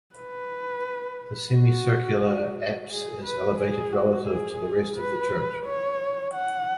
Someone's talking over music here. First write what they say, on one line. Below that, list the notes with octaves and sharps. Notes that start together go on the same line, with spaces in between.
The semicircular apse is elevated relative to the rest of the church.
B4
F#4
G#4
B4
G#4
F#4
G#4
B4
C#5
F#5